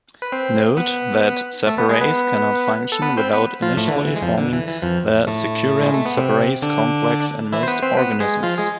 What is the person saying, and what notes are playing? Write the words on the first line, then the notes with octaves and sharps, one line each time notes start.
Note that separase cannot function without initially forming the securin-separase complex in most organisms.
B4
C4 C5
B3 B4
A3 A4
B3 B4
G#3 G#4
B3 B4
A4
B3 B4
C4 C5
B3 B4
F3 F4
A2 A3
E3
D3
E3
G#3
F2 F3
D3
E3
E3
F2 F3
A2 A3
G#3
A3
B3
C3 C4
D3 D4
E3 E4
C5
B3 B4
C4 C5
B3 B4
G#3 G#4
F3 F4
G#3 G#4